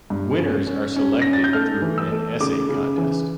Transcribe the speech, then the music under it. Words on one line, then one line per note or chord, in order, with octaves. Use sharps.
Winners are selected through an essay contest.
G2
C#4
C#4
C#4
C#4 A#6
A6
G6
A3 F6
E3
E6
A3
C#3 D6
C#3
E3